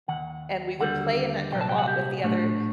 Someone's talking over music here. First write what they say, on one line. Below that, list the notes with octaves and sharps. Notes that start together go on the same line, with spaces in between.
and we would play in that dirt lot with the other
D#2 D#3 F#5
D#2 D3 G3 F#5
C2 A#2 F#3 G5
A5
G5
F#5
G4
A2 A3 D4